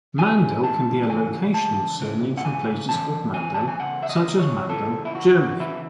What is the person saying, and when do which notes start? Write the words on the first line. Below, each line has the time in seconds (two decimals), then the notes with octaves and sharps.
Mandel can be a locational surname, from places called Mandel, such as Mandel, Germany.
0.18 C#2 C#3 E3 G#5
0.64 A5
1.09 C#2 C#3 E3 G#5
1.54 A5
2.00 C#2 C#3 E3
2.37 F#5
2.45 G#5
2.89 C#2 C#3 E3 A5
3.34 G#5
3.54 A5
3.68 G#5
3.80 E2 C#3 F#5
4.03 E5
4.09 D#5
4.39 C#5
4.70 E2 C#3 E3 A4
5.05 E4
5.15 F#4
5.59 E2 C#3 E3 E4